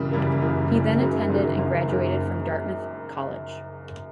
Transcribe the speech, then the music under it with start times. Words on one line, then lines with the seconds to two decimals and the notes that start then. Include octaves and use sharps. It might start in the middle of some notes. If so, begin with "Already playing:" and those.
He then attended and graduated from Dartmouth College.
Already playing: F#2 C#3 E3 G3 A#3
0.12 F#2 C#3 E3 G3 A#3
0.42 F#2 C#3 E3 G3 A#3
0.71 F#2 C#3 E3 G3 A#3
1.00 F#1 F#2 D#3 F#3 A#3
1.29 F#1 F#2 D#3 F#3 A#3
1.58 F#1 F#2 D#3 F#3 A#3
1.88 F#1 F#2 D#3 F#3 A#3